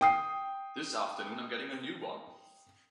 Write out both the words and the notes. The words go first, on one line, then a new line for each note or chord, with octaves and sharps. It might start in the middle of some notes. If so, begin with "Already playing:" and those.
This afternoon I'm getting a new one!
G5 D#6 C7